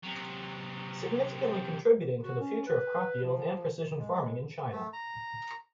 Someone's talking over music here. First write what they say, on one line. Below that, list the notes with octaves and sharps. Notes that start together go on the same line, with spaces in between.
Significantly contributing to the future of crop yield and precision farming in China.
C3 F#3
F#4
C#4
B4
F3
G#3
A3
A#5